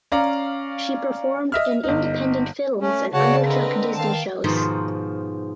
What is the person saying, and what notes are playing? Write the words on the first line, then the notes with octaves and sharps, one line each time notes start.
She performed in independent films and undertook Disney shows.
C#4 D5 F5 A#5
D#5 E5 F6
G1 D#4
A3 C#4
C#3 B3 F#4 C#5 D5 F#5 A5
D3 C4 A#4 B4 D#5
D#3 F5 A5
G#2 B2 D#3 F3 A#5 C6